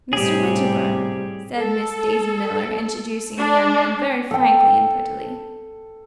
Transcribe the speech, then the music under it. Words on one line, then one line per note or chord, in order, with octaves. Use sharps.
"Mr. Winterbourne," said Miss Daisy Miller, introducing the young man very frankly and prettily.
A2 C3 G3 G4 G#4
A4
D4
A4 G5